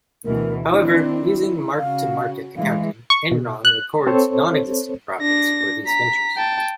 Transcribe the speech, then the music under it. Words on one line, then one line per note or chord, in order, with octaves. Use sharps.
However, using mark-to-market accounting, Enron records non-existent profits for these ventures.
D2 B2 E3 A#4
D#3 C4 D4 E4
C#3 F#4 F5
E3 G#3 F5
C#6
B2
F#6
C4 A4 C5 C#5
D4 A#6
A#5 B6
G5 A5